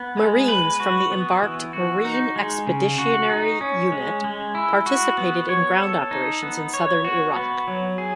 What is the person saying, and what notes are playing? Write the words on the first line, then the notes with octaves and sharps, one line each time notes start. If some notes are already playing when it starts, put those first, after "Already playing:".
Marines from the embarked Marine Expeditionary Unit participated in ground operations in southern Iraq.
Already playing: B3
G#3
B4
F#4
B3
E3
F#4
D#4
G#3
C#3
F#4
D#4
C#4
G#3
G#3
E4
F#4
B3
C#5
A4
D#4
B3
C#5
F#4
B3
F#3
G#4